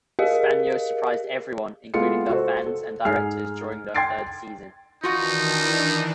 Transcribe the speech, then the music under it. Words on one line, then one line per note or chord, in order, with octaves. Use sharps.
Hispano surprised everyone including their fans and directors during their third season.
G4 G#4 A#4 D#5 F5
G#3 B3 E4 F4 A4 C#7
F#4 A4 C5
A4
G#2 G#4 G#5 F6 C7
G5 C6 G#6 A6 C7 D7
D#3 E3 D4 D#4 F4 F#4 F#5